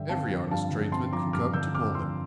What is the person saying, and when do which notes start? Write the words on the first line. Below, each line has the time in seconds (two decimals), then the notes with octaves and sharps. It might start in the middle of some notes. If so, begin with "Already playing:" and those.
Every honest tradesman can come to Pullman.
Already playing: G2 D3 E5 G5
0.09 C4 F5 A5
0.30 F3
0.51 G2 F5 A5
0.71 D3
0.92 C4 A5 C6
1.12 F3 A#5 D6
1.33 G2 D6 F6
1.53 D3 E6 G6
1.74 C4 D6 F6
1.94 F3 C6 E6